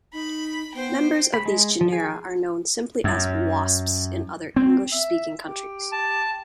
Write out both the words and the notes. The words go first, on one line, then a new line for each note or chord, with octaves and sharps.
Members of these genera are known simply as "wasps" in other English-speaking countries.
D#4 B5
B3 C5 G5
B5
G#3
F3
G#4
F#2
C4
E5
G4
A5